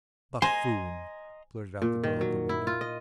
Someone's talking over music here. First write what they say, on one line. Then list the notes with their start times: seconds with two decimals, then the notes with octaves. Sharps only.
"Buffoon!" blurted out the girl at the window.
0.42 C5 D#5 G#5 A#5 C6
1.82 A#2
2.04 D#3
2.21 F#3
2.49 E4
2.67 F4
2.81 D#5